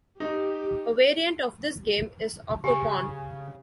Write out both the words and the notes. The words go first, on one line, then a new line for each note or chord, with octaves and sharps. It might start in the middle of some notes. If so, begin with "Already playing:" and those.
A variant of this game is octopawn.
D#4 G4
C#3 G4 G#4 G#5